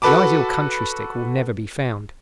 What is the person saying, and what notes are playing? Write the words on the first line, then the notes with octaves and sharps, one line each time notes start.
The ideal country stick will never be found.
F#4 A4 B4 A5 B5 D6